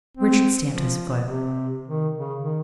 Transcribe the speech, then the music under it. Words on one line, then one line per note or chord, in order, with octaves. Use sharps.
Richard stamped his foot.
C4
F3
C3
D#3
C#3
D#3